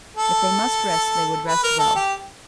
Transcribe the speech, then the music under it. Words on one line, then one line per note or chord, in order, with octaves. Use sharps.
If they must rest they would rest well.
A4
B4
A#4
A4
G4